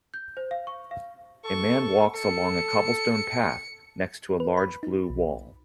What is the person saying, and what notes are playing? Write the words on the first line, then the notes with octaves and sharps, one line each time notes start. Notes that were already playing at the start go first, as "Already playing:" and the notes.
A man walks along a cobblestone path, next to a large blue wall.
G6
C5
F5
C#6
F5
A4 C#6
A4 C#7
B4
B5
D#4
B1